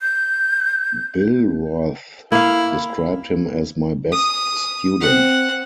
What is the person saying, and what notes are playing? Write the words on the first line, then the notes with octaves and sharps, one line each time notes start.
Billroth described him as my best student.
G6
A#3 E4 F5
D#6
C4 F#5